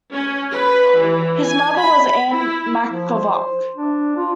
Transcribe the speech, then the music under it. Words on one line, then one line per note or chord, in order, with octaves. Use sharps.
His mother was Anne McGavock.
C#4
B4
E3
G#5
B5
E4
F3
C5
D4
F4